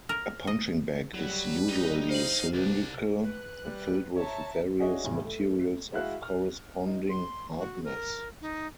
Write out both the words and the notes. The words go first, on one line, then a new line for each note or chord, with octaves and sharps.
A punching bag is usually cylindrical, and filled with various materials of corresponding hardness.
A#4
D#5
F#3 G3 B4
D#4 D#5
C5 F5 F#7
C2 D4
B4 F#6
G3
C#5 E5 A5 A#5
D4 F#4 G#4 C#5 D#5 E5
A1 E2 C#3 E3 G3
A3
G#3 E4 F#4 F5 F#6
F6
D#4
C6
F#4
A#4
D#4